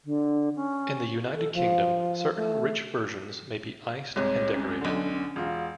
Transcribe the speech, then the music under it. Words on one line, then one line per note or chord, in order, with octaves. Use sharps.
In the United Kingdom, certain rich versions may be iced and decorated.
D3
C#4
A4
F3
A3
C2 G#2 C3 C#5
C#4
B1 D3
E1 F4